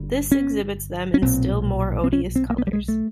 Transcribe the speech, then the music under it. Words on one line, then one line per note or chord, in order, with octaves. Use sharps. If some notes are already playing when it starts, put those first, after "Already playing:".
This exhibits them in still more odious colors.
Already playing: G1 G2 D3
C#4
C#4
B1 A#2 C4
C4
C#4
C4
A#3
B3
G3
G#3
A3